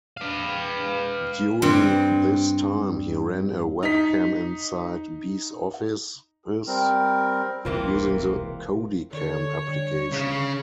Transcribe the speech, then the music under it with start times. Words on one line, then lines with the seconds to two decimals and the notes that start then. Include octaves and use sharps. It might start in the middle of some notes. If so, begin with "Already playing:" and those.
During this time, he ran a webcam inside Be's offices using the CodyCam application.
0.17 B4 F5
1.62 G2 C4
3.83 D#4 B6
6.67 G3 C4 A#4
7.65 E1 C2 C3 E3 A#3 C4 F4 A#4
9.13 D3 A4 C#5
9.68 D3 G3
10.12 C#3